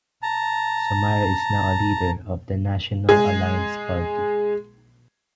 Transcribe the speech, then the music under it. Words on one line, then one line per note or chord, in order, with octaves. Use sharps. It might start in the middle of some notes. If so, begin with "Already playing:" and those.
Somare is now leader of the National Alliance Party.
A5 A#5
G#3 G#4